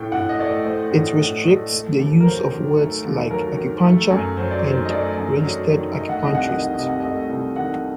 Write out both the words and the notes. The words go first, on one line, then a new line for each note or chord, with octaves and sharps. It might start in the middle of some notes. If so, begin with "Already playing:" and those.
It restricts the use of words like "Acupuncture" and "Registered Acupuncturist".
Already playing: A2 A3 G5
A2 F#5
D#5
A3 D5
D#5
A3 C5
A2
A2
A3
A3
D#2
A#4
F#3 C5
D#3
A3
D#2
F#3 A#4
D#3
A3
F#2
F#3 C5
D5
D#3 C5
D#5
A3 D5
F#2
F#3
D#3
A3 D#5
F#5
C2 D#5
F#5
D#3 D#5
F#5
C3 D#5
F#5
A3 D#5
C2
D#3 F#5